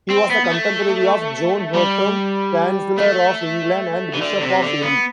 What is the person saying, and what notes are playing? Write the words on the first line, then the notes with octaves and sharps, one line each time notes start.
He was a contemporary of John Hotham, Chancellor of England and Bishop of Ely.
C4
B3
B3
A3
G3
A3
E3
D3
C3
D3
B3